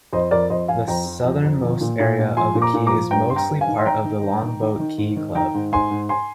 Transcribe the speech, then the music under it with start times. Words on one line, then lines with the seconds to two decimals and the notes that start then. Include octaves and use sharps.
The southernmost area of the key is mostly part of the Longboat Key Club.
0.13 F2 C5 D#5
0.31 F2 A#4 D5
0.50 F2 C5 D#5
0.68 F2 F5 G#5
0.88 F2 G5 A#5
1.06 F3
1.25 F2
1.43 F2
1.63 F3
1.81 A#2
2.00 A#2
2.19 A#2
2.37 F3 G#5 C6
2.55 A#2
2.62 A#5 D6
2.74 A#2
2.86 A#5 D6
2.92 F3
3.11 G2 G5 A#5
3.30 G2 C6
3.36 G5 A#5
3.49 G2
3.61 F5 G#5
3.67 D#3
3.78 C6
3.85 D#3 G5 A#5
4.04 D#3
4.23 G2
4.42 D#3
4.61 D#3
4.79 D#3
4.98 G#2
5.16 D#3
5.35 D#3 G5 A#5
5.54 G#2
5.72 G#2 G#5 C6
5.91 G#2
6.09 G#5 C6